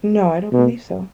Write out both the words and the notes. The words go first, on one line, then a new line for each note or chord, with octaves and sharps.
No, I don't believe so.
B2